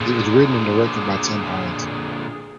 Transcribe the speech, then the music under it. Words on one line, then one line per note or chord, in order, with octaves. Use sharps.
It was written and directed by Tim Haines.
A#2 D3 G#4